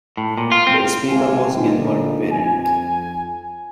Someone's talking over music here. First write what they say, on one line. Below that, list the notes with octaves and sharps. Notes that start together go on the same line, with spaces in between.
The Speaker was Gilbert Parent.
A2
A#2
F4
C4
G#1 G#2 C3 F5 G#5
A#2 D3 B3 D#4
F2 G#5